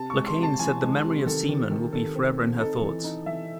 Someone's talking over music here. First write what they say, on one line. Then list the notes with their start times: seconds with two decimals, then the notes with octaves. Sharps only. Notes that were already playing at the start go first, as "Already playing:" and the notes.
Locane said the memory of Seeman will be forever in her thoughts.
Already playing: C3 A5
0.10 G#3 C#6
0.26 C6
0.38 C3 A5
0.59 E3 G#5
0.82 G#3
1.05 C3
1.26 D#3 A4
1.49 D#3
1.71 D#3
1.93 D#3 A4
2.15 C4
2.38 C4
2.59 D#4 A4
2.81 E3
3.04 D#4
3.26 E3 E5